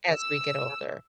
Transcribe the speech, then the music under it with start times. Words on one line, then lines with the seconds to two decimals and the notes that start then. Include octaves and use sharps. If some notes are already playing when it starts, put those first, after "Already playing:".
as we get older.
0.16 E6